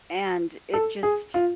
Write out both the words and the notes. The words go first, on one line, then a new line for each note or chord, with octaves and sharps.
and it just
A4
G#4
F4